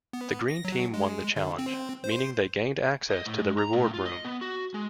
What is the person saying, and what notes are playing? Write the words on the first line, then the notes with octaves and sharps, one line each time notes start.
The green team won the challenge, meaning they gained access to the reward room.
B3
A#6
F#3
G#3
D3
C4
C5
D#5
A2
G#3
A#5
A2
F4
D#5
B3
F#4
G#3